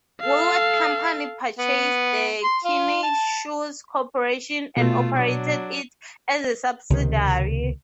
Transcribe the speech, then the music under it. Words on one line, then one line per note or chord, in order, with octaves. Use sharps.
Woolworth Company purchased the Kinney Shoe Corporation and operated it as a subsidiary.
A4 F5
B3
C6
F4
A5
B2 A3 F4
F#3 D4
C#2 C3 D#3